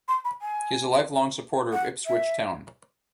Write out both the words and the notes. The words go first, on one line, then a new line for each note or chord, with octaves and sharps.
He is a lifelong supporter of Ipswich Town.
C6
B5
G#5
F#5
E5